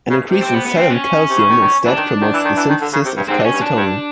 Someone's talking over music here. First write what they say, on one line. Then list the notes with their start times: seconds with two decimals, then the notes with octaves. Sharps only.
An increase in serum calcium, instead, promotes the synthesis of calcitonin.
0.10 C#3
0.26 C3
0.42 C4
0.54 B3
0.66 B3
0.78 C4
0.90 C#4
1.29 C3
1.37 C#3
1.49 D#3
1.61 D#3
1.85 E3 D4
1.97 D#3
2.21 D#3
2.33 E3
2.45 D#3
2.57 E3
2.69 D#3
2.81 D3
2.93 C#3
3.05 C3
3.16 G2
3.28 G#2 C4
3.39 D4
3.45 C#4
3.53 G2
3.61 D4
3.76 G2